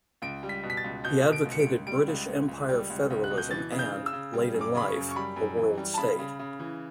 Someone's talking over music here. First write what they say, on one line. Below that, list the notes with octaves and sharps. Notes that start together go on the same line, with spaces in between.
He advocated British Empire Federalism and, late in life, a world state.
C#2 D7
G3
B6
B2
B6
A6
C#2
B2 G6
B2
D7
C#2
C#7
D7
C#2
G3 D7
C#2
C#2
C#2
G3
C#2
C#2
F#6
B2
G6
E3 A6
C#3
G6
C#3
E6
C#3
G3
F#2
D6
C#3 B5
C#6
F#2
C#6
G3 B5
F#2
E3
G3
A5
C#3 B5
C#3
C#3
E3